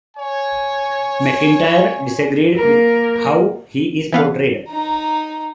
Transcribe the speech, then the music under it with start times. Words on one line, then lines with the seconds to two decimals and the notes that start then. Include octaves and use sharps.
McIntyre disagreed with how he is portrayed.
0.17 C#5 G#5
2.57 A#3 A#4
4.13 E3 B3 F5
4.69 D#4 A#5